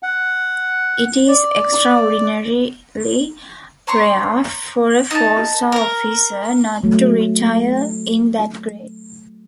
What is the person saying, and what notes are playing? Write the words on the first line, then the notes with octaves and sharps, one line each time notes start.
It is extraordinarily rare for a four-star officer not to retire in that grade.
F#5
D5
C#5 A#5 C6 C#6
D#4 A5
A#4 A#5
F#3 A3